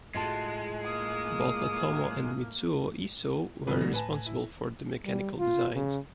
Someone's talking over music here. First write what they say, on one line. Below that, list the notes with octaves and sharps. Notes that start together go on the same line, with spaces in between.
Both Otomo and Mitsuo Iso were responsible for the mechanical designs.
A2 G#3 F4 F#4 A5
A#3 D#6
F2 G#2 D3 F3 C4 B4
C2 D3 F3 A3 A#6
A2 B4 G#5 A5
E4
G3
F4
C#3